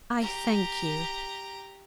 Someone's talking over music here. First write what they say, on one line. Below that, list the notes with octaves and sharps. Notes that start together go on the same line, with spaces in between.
I thank you.
G4 A#5